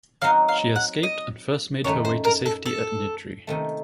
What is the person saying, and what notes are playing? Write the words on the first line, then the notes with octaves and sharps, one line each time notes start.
She escaped and first made her way to safety at Niddry.
F#3 C4 D#4 F#4 F5
F5
F#5
D#5
F#2 D#3 A3 C#5
C5
A#4
A4
A4
C3 D#3 A3